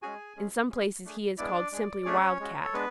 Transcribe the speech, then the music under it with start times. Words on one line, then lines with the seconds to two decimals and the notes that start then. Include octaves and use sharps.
In some places he is called simply Wild Cat.
0.02 G#3 C#4 F#4 G#4 G#5
0.36 G#3 C#4 G#4
0.70 C#4 G#4
1.04 A3 D4 G#4
1.37 G#3 B3 D4 E4 D5
1.72 G#3 D4 G#4
2.05 A3 C#4 D4 G#4 C#5
2.40 G#3 C#4 F#4
2.65 A4
2.73 G#3 B3 D4 B4